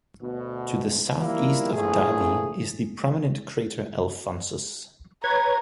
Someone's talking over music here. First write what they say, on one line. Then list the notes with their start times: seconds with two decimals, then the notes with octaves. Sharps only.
To the southeast of Davy is the prominent crater Alphonsus.
0.21 D2 B2
1.20 D#3 F3 G3 A#3 E4
1.73 A#1 E2 A3 G#4
5.24 B4 C#5 A#5 G#6